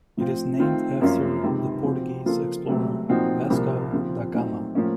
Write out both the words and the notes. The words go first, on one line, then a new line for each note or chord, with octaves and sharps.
It is named after the Portuguese explorer Vasco da Gama.
A2 F3 C4 F4
D#3 A3 C4 F4
F#2 F3 A#3 C#4 F4
C#2 C3 D#3
C3 F3 C4 F#4
C#3 F3 A#3 F4 A4
C#2 C3 F#3 A3
A#2 F3 C4 D#4 F#4
C2 A#2 F3 A#3
D#2 C#3 F3 C4 F4
A#2 F#3 A3 C4 D#4
A2 F3 A#3 C#4